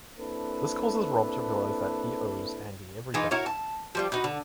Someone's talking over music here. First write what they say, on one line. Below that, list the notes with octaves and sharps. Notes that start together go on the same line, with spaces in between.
This causes Rob to realise that he owes Andy everything.
A#3 C4 D4 E4 A4 B4
E3 G#3 D#4 F4
E4 F#4 A#4 C#5
A5
F3 G3 F4
D#4 F#4 B4
D3